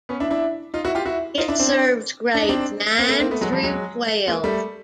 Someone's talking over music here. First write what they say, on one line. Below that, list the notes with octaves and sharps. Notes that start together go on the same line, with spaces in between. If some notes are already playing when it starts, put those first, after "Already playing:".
It serves grades nine through twelve.
B3 C#4
D4 E4
D4 E4
D#4 F4
E4 F#4
F4 G4
E4 F#4
D#4 F4
D4 E4
C4 D4
D4
D#4
C4 D4
A#3 C4
A3 B3
A#3 C4
A3 B3
F#3 G#3
F3 G3
F#3 G#3
G#3 A#3
G3 A3